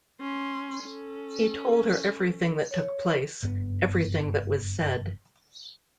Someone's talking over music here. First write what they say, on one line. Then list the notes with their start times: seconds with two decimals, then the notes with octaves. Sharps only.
He told her everything that took place, everything that was said.
0.20 C#4 C6
0.84 C#4 A4
2.71 C#5
3.43 F#1 G2 B3